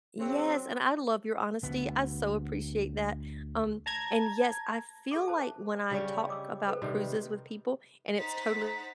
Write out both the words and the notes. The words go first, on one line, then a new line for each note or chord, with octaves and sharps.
Yes, and I love your honesty, I so appreciate that, um, and yes, I feel like when I talk about cruises with people, and it's totally
C#3 F#3 C4
D2 B3
A5 A#5 G#6
A4 E5 D6
C5 A5
C#3 G3 C#4
D#5 D6 E6
A4 B4 C5
C3 D#3 G3
D#4 C5 F#5 A#5 A6 B6